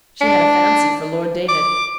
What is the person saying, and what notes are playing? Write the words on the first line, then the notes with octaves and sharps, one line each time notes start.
She had a fancy for Lord David.
D4
D6